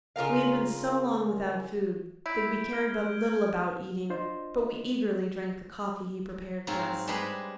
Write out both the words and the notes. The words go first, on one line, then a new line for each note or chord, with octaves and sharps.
We had been so long without food that we cared but little about eating, but we eagerly drank the coffee he prepared for us.
C#3 F4 A#4 F5
E4 G6 D7
F6 G#6
D4 F4 C5 D5 D#5 C6
G#2 F#3 C4 F4 F#4
G3 G#3 D4 G#4 B4 C5